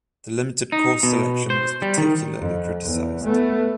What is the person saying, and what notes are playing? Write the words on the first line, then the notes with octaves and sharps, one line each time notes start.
The limited course selection was particularly criticized.
D#4
B2
C5
G3
D#3
F2
E2
A3 B3